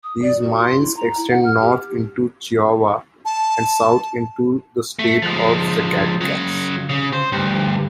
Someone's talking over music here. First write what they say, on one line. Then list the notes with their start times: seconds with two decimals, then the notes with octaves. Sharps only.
These mines extend north into Chihuahua and south into the state of Zacatecas.
0.04 D#6
0.22 D5
0.42 F#4
0.58 C6
0.80 E4
0.96 A#5
1.17 E4
1.30 F#5
1.45 F6
1.62 G4
3.25 A5
4.99 A3
5.22 F3 G#3
6.21 C#3 F#3
6.89 C#3
7.13 C5
7.32 D2 G2